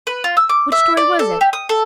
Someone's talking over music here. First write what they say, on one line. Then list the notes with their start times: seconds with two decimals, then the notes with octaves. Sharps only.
"Which story was it?"
0.07 B4
0.24 F4
0.37 E6
0.49 D6
0.72 E5
0.97 D5
1.19 A4
1.41 G4
1.53 D#6
1.69 A4